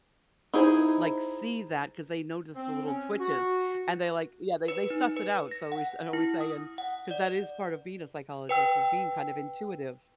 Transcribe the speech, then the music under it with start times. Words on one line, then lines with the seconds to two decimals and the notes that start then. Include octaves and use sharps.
like, see that 'cause they notice the little twitches and they, like yeah, they they suss it out so, we sh I always say and 'cause that is part of being a psychologist is being kind of intuitive,
0.54 D#4 E4 G#4 C5
2.55 C4
2.85 C#4
3.20 F#4
4.68 B4
4.90 D#4
5.17 B4
5.51 A#6
5.72 F#5
6.13 E4
6.41 D#6
6.78 F#5
7.11 D5
8.49 B4 G5 E6